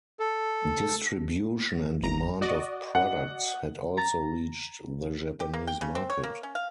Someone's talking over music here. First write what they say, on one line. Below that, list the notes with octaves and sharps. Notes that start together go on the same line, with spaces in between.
Distribution and demand of products had also reached the Japanese market.
A4
G1 A#5
F#4 D5 D#5
F#5
A#5 A6
G4
A#3
G5
C#3
C4
C#5
A#3
C#4
F5